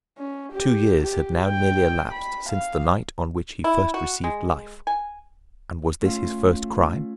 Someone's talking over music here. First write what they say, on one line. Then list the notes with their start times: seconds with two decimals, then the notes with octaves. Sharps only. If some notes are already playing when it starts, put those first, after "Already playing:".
Two years had now nearly elapsed since the night on which he first received life; and was this his first crime?
0.18 C#4
0.52 G4
1.02 G4
1.43 G5
2.12 B5
2.50 F5
3.64 E4
3.94 F#4
4.24 G#3
4.87 G#5
6.02 A3 C#4 F4